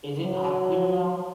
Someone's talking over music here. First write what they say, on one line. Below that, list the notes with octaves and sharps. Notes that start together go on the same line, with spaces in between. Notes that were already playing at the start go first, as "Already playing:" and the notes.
Is it hot here now?
F#3